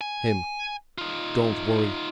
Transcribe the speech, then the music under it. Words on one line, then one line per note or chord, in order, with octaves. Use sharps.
HIM: Don't worry.
G#5
D#4 F4